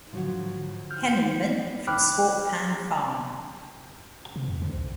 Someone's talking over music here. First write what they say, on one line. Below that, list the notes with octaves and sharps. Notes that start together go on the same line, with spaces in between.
Hennenman, from Swartpan Farm.
G#2 D3 F3 F#3 F#4
F6 G6
G5 B5 D6 F6 F#6
C3
F2
D3
C2